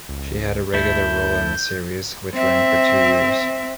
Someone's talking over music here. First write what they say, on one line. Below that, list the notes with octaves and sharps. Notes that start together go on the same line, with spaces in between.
She had a regular role in the series, which ran for two years.
C#2
D2 A3 E4 G6
C4 E5